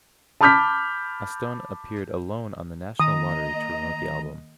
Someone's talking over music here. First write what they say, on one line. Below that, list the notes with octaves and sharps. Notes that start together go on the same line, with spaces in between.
Aston appeared alone on the National Lottery to promote the album.
A5 B5 D6 F6 G6 B6
D#3 A#3 D#5 A#5 D#6